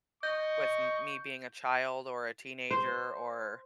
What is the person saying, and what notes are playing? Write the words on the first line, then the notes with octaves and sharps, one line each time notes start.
with me being a child or a teenager or
D#5 C#6 G6
C5